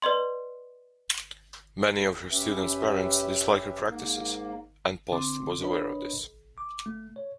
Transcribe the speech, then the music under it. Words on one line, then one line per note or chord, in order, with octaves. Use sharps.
Many of her students' parents disliked her practices, and Post was aware of this.
B4 D5 D#5 C6
F#2 C#4 G4 B4 E5
G#2 A#3
D3 C4 C6 D6
D4 A#4 B4 C#5 D#5 B5
A#1
D6
A3
C#5